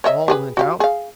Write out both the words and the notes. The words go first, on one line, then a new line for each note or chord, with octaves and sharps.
All went out.
C#5 D#5 E5
G4 G#4 B4
F#4 G4 F5
G#4 F5